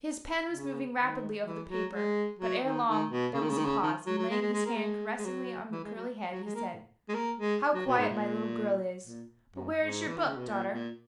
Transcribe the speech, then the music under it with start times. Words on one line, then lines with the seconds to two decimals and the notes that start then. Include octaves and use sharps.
His pen was moving rapidly over the paper, but ere long there was a pause, and laying his hand caressingly on the curly head, he said, "How quiet my little girl is; but where is your book, daughter?"
0.50 C#3
0.97 D#3
1.44 E3
1.68 F#3
1.92 G#3
2.39 F#3
2.63 D#3
2.87 D#3
3.10 B2
3.34 C#3
3.42 D#3
3.50 C#3
3.58 D#3
3.65 C#3
3.82 D#3
4.06 F#3
4.18 F#3
4.30 G#3
4.41 G#3
4.53 G#3
4.66 A#3
4.76 G#3
5.19 G#3
5.25 F#3
5.72 E3
5.84 G#3
5.95 F#3
6.32 F#3
6.44 G#3
6.55 A#3
7.09 G#3
7.15 A#3
7.39 G#3
7.74 F#3
7.86 B2
7.98 G#2
8.10 A#2
9.05 A#2
9.53 F#2
9.75 G#2
10.07 E3
10.17 D#3
10.27 C#3
10.37 B2
10.47 A#2
10.72 A#2